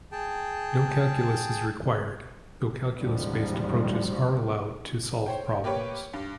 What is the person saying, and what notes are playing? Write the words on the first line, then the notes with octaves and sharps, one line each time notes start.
No calculus is required, though calculus based approaches are allowed to solve problems.
G#4 G5 A5
A1 D#2 G#2 D3 F3 G3
C5 C#5 G5
A#3 G4 B4 C#5
G2